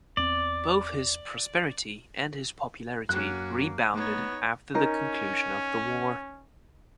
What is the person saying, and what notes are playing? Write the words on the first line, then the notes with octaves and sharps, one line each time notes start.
Both his prosperity and his popularity rebounded after the conclusion of the war.
E2 C4 D5
F#2 A#3 C#4 F#4 F#6
A3 B3 D#4 C#5
C#4 D#4 A#4